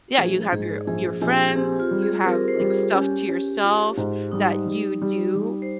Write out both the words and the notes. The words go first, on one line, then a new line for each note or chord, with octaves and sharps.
Yeah, you have your your friends, you have like stuff to yourself that you do,
A#1 G#4
G#2 G#4
A#1 G#4
A#1 G4
G#4
C4 G4
F4
G3
G#4
C4 A#4
C5
G3
G#4
C#4 G4
C#4
F4
G#2
G3 D#4
G3
G3
G3
C5